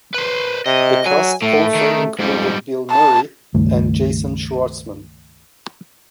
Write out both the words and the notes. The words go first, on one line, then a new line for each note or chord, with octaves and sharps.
The cast also included Bill Murray and Jason Schwartzman.
B4 C5
C3 D#5
F#3 G#5
A2 A3
D#3
F2 G#2 G3
A5
C#2 G2 D#3 A3